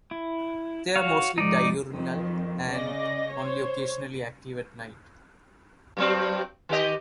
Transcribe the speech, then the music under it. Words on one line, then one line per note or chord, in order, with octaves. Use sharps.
They are mostly diurnal, and only occasionally active at night.
E4
F#4 C#5 F5
G#2 F3 D#4 D5
F2 D#3
C#3 D5 D#5 A#6
C5 C#5
G2 F#3 C4
D#3 G4 D#5